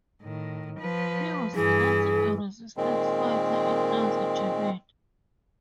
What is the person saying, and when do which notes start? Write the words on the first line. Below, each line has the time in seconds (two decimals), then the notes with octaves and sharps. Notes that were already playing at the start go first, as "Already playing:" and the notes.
He was also a resistance fighter in Nazi Germany.
0.22 A2 D#3
0.79 F3 B4
1.55 G2 E3 G#4
2.77 A#2 D#3 G#3 C4